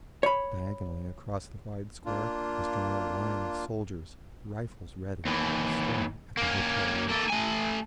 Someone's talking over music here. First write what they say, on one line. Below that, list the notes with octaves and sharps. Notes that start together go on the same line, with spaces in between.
Diagonally across the wide square was drawn a line of soldiers, rifles ready, staring at the hotel roof.
C#5 B5
A#3 D4 F4
D#2 E3
A#3 C#4
A#3 A4
A3 G#5